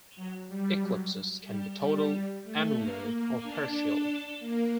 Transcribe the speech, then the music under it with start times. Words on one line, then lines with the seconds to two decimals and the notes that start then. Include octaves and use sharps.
Eclipses can be total, annular, or partial.
0.15 F#3
0.48 G3
0.81 F#3
1.46 G3
1.79 G3
2.11 G3
2.43 A3
2.76 A#3
3.42 D4
4.06 D4
4.39 A#3